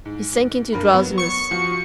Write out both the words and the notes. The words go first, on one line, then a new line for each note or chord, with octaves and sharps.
He sank into drowsiness.
G#2
G2 A#4 B5
F#3 B3
C#6 C#7
F3 F#4